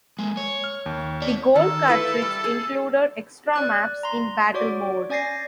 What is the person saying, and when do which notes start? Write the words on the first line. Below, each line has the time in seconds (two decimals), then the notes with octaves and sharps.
The gold cartridge included extra maps in battle mode.
0.19 G#3 A#3 G#5
0.37 C#5
0.64 F6
0.86 D#2
1.22 C#5 D5 A5
1.56 D#3 A4
1.88 A3 E4 B4
2.22 G3
2.44 G#4
3.53 D5 F#6 A6
4.03 A#5 C6
4.54 F#4 C#5 D5 D6
5.10 C#4 D5 G#5 A6 A#6 C7